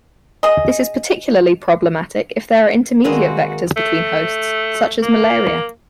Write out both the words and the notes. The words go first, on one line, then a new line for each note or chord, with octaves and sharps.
This is particularly problematic if there are intermediate vectors between hosts, such as malaria.
G#4 D#5
D#3 G#3 A#3 C4 F#4 A#4 B4
A3
A#3